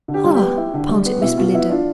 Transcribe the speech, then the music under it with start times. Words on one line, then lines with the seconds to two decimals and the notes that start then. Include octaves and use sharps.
"Ah!" panted Miss Belinda.
0.08 D3
0.14 G4
0.24 G3
0.35 G4
0.40 B3
0.57 E4
0.74 D3
0.89 G3
1.05 B3
1.22 B2 E4
1.37 B2 F4
1.53 B3 E4
1.70 D4 F4